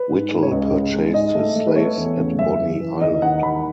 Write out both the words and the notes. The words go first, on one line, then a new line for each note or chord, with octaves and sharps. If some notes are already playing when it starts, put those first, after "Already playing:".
Whittle purchased his slaves at Bonny Island.
Already playing: B4
G#2
G#3
C#5
C#2 D#5
C#2
G#3
G#2 D#5
A3
A3
B4
A3 C#5
E2
C#3
F#2 E5
E3
E3
D#2 D#5
D#2 F#5
D#2 B5